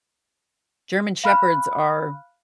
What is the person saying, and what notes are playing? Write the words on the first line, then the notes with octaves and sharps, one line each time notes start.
German Shepherds are,
F5 B5 F6 F#6